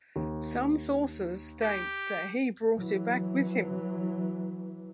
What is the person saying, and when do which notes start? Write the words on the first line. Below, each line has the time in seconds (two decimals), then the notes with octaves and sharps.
Some sources state that he brought it back with him.
0.16 D#2
1.62 G4
2.77 E3 F#3